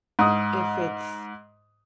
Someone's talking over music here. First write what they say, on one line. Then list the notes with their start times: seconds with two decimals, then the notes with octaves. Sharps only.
if it's
0.19 G#2 D#6